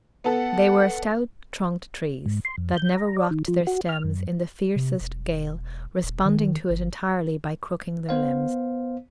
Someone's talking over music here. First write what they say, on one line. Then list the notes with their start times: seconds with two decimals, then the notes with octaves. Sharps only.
They were stout-trunked trees, that never rocked their stems in the fiercest gale, responding to it entirely by crooking their limbs.
0.24 B3 A4 F#5
2.26 G#2
2.45 C6
2.58 F2
2.77 G6
2.97 A#5
3.17 D5
3.31 D#3
3.48 F3
3.67 F#4
3.89 F6
4.04 F#2
4.76 C3
5.00 E1
6.03 D#1
6.25 D#3
6.70 G1
8.09 B3 C5 F5